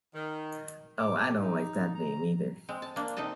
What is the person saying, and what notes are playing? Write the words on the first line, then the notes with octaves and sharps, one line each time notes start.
Oh, I don’t like that name, either.
D#3
D6
G4
D#4
A#5
G#3 C4
A5
A#3 D4
C3 D#4 A4 D#5 A5